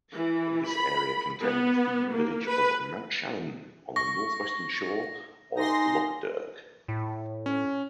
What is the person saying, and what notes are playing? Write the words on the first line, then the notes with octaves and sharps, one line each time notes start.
This area contains the village of Mountshannon on the north-western shore of Lough Derg.
E3
B5
B3
A#3
B4
C#6 A#6
D#4 G4 G#5 C6 A#6
A2
C#4